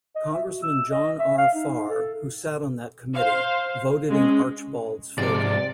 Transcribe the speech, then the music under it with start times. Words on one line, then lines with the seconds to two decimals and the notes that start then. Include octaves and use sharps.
Congressman, John R. Farr, who sat on that committee, voted in Archbald's favor.
0.15 D#5
0.33 E5
0.48 F#4
0.63 E6
0.91 D#5
1.19 E5
1.38 F5
1.55 D#4
1.90 A4
3.16 C5 F5
4.10 G#3 C#4
5.18 G#2 C3 F3 G#3 D5